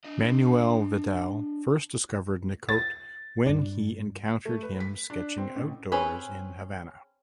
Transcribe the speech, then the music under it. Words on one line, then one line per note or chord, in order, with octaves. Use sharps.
Manuel Vidal first discovered Nicot when he encountered him sketching outdoors in Havana.
D4 D#5
A6
G2 D4
A3
B4
B6
D4
C4
A1
C4 C#4 G#4 B4